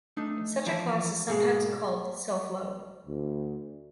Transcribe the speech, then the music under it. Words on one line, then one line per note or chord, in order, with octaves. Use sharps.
Such a class is sometimes called "self-low".
A3 D4 D#4
E3 F3 D5
G#2 B2 G#3 G#4
D2